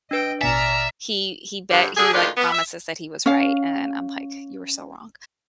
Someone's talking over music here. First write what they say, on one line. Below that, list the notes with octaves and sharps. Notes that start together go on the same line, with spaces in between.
he he bet he, like, promises that he was right, and I'm like, "You were so wrong,"
D4 B4 D#5 G5
A1 B2 D5 E5 G#5 A#5 F6 A6
G2 D3
D3 G#4
D2 D#3 G#3 D4 F4 B4
B3
E5
C#4 F5